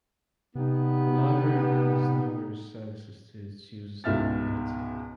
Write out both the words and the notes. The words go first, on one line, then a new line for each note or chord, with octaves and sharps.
The library renders numerous services to its users and community.
C3 G3 B3 D#4
C#2 G#2 B2 E5 F6 A6